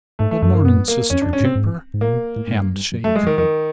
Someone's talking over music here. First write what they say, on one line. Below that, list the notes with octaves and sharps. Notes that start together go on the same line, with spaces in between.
"Good mornin', Sister Cooper"--handshake.
G#2 A3
A3
F#2 A3
G2 A#3
F#2 B3
A#3
F2 C#4
D4
F2
C#4
G#2
C4
G#2
G#2
A2 A#3
A#2
B2
A2
G#2
G2
F#2
G2
F#2
F#2 A3
G#3
F2
D#3
F2 D#3